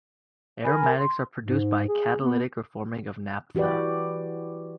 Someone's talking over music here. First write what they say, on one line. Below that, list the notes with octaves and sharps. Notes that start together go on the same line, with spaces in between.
Aromatics are produced by catalytic reforming of naphtha.
A#4 G#5 B5
C6
G#2
G#4
B3
E3 F#4 G4 B4 D5